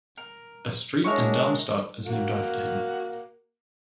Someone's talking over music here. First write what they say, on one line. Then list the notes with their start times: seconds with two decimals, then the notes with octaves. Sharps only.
A street in Darmstadt is named after him.
0.17 A#4
1.04 F#3 G#3 D4 A#4 E5 C#6
2.05 A#3 F#4